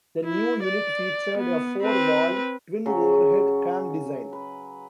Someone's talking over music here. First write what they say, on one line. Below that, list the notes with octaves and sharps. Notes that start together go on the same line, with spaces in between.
The new unit featured a four-valve, twin overhead cam design.
E4
D5
B3
C4 B4
C#3 F#3
B4